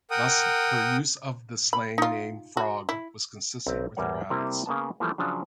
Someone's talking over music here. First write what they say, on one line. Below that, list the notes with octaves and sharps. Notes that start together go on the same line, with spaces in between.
Thus, her use of the slang name "frog" was consistent with her habits.
A#4 F#5 G5 D#6
B5
D#4 F4
F#4
E4
B1 C4 E5 A#5
E2 G3 A#4 C#5 F#5
C3 G3 A#3 C4 E4 A#4
C#3 A#3 B3 A5
E3 F3 G3 A3 A#3
C#3 F3 F#3 D4